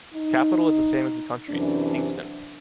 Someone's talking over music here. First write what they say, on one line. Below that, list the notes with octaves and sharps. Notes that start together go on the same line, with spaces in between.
Its capital is the same as the country’s, Kingstown.
D#4
F#2 C3 E3 D4